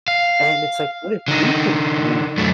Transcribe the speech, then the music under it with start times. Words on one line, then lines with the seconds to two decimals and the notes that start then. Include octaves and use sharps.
and it's like, "What if we can move"
0.08 F5
1.28 D3 D#4
2.38 F#2 A3